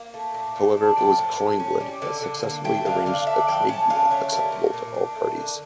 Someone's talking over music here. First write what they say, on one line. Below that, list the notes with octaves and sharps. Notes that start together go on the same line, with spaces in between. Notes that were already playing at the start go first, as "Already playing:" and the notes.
However, it was Collingwood that successfully arranged a trade deal acceptable to all parties.
Already playing: A#3 F5
A3
A#2
A#2
D4
F3 G5
A2
A2
C#4
G3
D3
D3
A#3
A3 G5
D3 F5
D3 F5
D4 E5
F3 G5
C#4 A5
D3 F5
A3 C#5
G3 A#4
A#2
A#2
D4
A3
D3